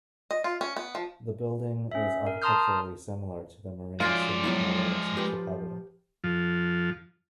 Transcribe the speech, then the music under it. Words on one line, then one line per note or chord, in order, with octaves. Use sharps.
The building is architecturally similar to the Marina City towers in Chicago.
D#5
F4
C#4
B3
F3
C#4 E5
A#4
A5 A#5 C6 D#6 F6 G6
F3 G#3 F4 F#4 C#5 D5 F5 G#5
F3 F#3 B3 E4
G4 B4
F2 F3